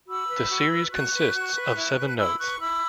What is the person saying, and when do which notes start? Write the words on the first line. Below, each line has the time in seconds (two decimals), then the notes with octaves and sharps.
The series consists of seven notes.
0.07 F#4 B5 E6
0.28 B4
0.49 F#4
0.70 B4
0.91 F#4 C#6 F#6
1.13 B4
1.34 F#4
1.55 B4
1.76 E4
1.97 B4
2.07 F#6
2.18 E4 B5 E6
2.38 B4 C#6 F#6
2.60 E4 B5 E6